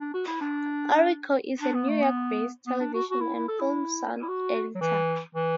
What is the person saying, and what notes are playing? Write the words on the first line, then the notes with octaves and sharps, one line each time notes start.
Orrico is a New York based television and film sound editor.
D4
F#4
E4
D4
D4
B3
A3
B3
B3
D4
F#4
F#4
E4
E4
A4
E4
E4
F#4
F#3
E3
E3